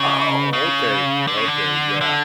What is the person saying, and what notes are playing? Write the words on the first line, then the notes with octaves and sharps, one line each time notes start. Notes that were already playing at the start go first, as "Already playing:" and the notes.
Oh, okay, okay, yeah.
Already playing: C#3
C#3
D3
C#3
D3
D3